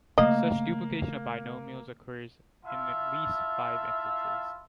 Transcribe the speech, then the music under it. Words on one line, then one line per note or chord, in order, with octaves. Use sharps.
Such duplication of binomials occurs in at least five instances.
C#3 A3 A#3 D#5
E4 F4 E5 F5 A5